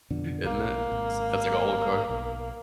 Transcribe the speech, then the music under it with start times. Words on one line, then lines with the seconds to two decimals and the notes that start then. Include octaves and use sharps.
isn't it? S that's like a old car.
0.10 F2 B2 D3
0.44 B1 A#3
0.92 G#1
2.09 B1